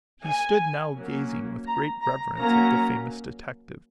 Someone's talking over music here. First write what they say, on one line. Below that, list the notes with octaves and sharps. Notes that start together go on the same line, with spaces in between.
He stood now gazing with great reverence at the famous detective.
G#5
F#3 A#3 C#4
A#5
A#5
F#3 A#3 C#4 A#5